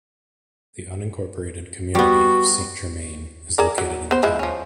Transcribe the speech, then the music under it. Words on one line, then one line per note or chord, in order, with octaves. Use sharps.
The unincorporated community of Saint Germain is located in the town.
G3 B3 F#4
G#4 A#4 D5
F#3
B3 C5
F3 G#3 E4
F3 C#4